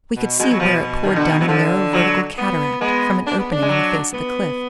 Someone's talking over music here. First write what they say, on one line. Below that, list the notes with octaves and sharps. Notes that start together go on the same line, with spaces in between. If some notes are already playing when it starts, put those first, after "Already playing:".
We could see where it poured down a narrow vertical cataract from an opening in the face of the cliff.
B2
B2 G#3
F#3
B2 F3
D#3
D3
D#3
B2 F#3
D3 F3
F#3
B3
G#3 B3
D4
B3
D4
G#3
F#3
B3